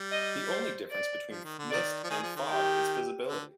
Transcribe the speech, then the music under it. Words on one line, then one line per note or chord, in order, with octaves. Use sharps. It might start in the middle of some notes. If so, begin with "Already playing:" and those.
The only difference between mist and fog is visibility.
Already playing: G3
D#5
C5
D5
F3
D#3
D3
C3 D#3 D5
F3
D#3 G#4
F3
D#3
G4
D3